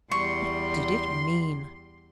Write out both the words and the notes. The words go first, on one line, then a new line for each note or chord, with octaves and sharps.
What did it mean?
E2 G3 C6 C#6